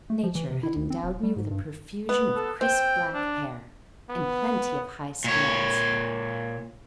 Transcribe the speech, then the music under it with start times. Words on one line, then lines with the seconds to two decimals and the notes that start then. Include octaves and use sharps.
Nature had endowed me with a profusion of crisp black hair, and plenty of high spirits.
0.10 A3
0.23 F3
0.35 E3
0.51 C3
0.63 E4
0.76 D2
0.90 C4
1.03 D#1
1.23 G3
1.36 G#2
1.51 G2
2.09 B3
2.35 A4
2.61 C4 G5
3.14 D4
4.09 B3
5.24 A#2 C#5